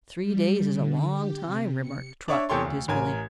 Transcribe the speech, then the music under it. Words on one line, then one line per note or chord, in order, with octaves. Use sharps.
"Three days is a long time," remarked Trot, dismally.
G3
D3
G4
C3
C#7
D4 C#5 E5
E2 C3 G4 A4 C#5 C6
D2
A1 A#4 G#5 G#6